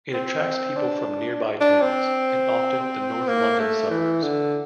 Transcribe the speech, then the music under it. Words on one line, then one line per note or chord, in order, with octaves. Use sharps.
It attracts people from nearby towns, and often the North London suburbs.
C4
D4
D4
C4
A#3
A3
E3
D3